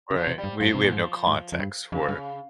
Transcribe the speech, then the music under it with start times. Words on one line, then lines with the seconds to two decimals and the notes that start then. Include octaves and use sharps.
Right, we we have no context for it.
0.11 C#3
0.16 F3
0.27 C3
0.38 G3
0.44 G2
0.60 G2 F3
0.75 C3
0.84 A#2
0.93 G#2
1.27 G#2
1.52 F2
1.59 G2
1.92 F2 C#3
2.08 G2